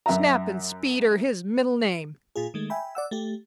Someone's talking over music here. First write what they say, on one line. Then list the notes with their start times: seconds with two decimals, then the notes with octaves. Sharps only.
Snap and speed are his middle name!
0.06 F#2 E5 A#5
2.36 A#2 F4 G#4
2.54 D#3 G#3 A3
2.70 E5 G5 G#5 B5
2.95 D5 F#5 E6
3.11 A3 G4